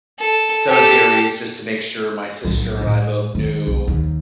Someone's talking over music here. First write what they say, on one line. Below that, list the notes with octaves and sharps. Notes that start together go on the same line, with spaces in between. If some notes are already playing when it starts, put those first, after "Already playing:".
cemeteries, just to make sure my sister and I both knew,
A4
G4 A4
B1 A2
A2 G#3
D#3
B1
D#2